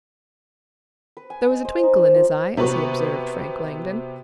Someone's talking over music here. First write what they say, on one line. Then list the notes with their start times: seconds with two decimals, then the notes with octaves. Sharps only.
There was a twinkle in his eye as he observed Frank Langdon.
1.17 B4
1.30 G#5
1.51 D#5
1.65 C5
1.83 D#4
1.98 D4
2.14 F3
2.57 C3 B3 F#4 B4 C#6